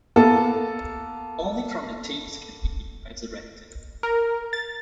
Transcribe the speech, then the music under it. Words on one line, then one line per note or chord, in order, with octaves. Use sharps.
Only from the tapes can he be resurrected.
A#3 B3 A4
A#4
A6